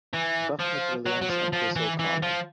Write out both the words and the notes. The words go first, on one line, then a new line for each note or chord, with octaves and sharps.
Buck McWilliams and Chris O'Connor.
E3
F3
F#3
F#3
F3
F3
E3
E3
F3